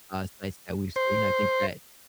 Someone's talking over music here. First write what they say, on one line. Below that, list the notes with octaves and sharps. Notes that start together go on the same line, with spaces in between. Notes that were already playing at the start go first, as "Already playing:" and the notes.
uh, sites that we've seen, I think that,
C5